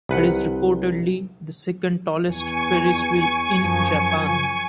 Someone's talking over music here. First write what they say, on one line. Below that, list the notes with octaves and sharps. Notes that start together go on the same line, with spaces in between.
It is reportedly the second tallest ferris wheel in Japan.
C2 B4 F#5
E2 G#5 C#6
F#2 F3